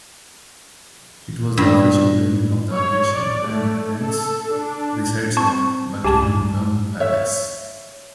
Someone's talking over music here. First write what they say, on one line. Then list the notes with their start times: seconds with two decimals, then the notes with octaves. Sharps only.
It was the official painting of the occasion and, hence, resides at Buckingham Palace.
1.58 G2
2.74 C#5
3.14 D5
3.47 A3
4.03 A4
4.53 D4
5.37 C4 A5 C#6
6.04 C#2 G4 G#5 A5
6.22 G2
7.00 C#5 E5